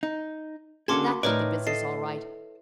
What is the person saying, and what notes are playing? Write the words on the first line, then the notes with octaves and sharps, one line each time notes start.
That did the business, all right.
D#4
D3 A#3 C#4 F#4 G#4 A5 C6 D6
A2 D#4 A#4 B4 C#5 D5 F6
A4 D#5 C7